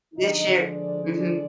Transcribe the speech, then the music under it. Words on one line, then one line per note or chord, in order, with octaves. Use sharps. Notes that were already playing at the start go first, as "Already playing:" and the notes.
this year mhm.
D3 F3 G#3 D#4 D#5
D4 D5
D4 D5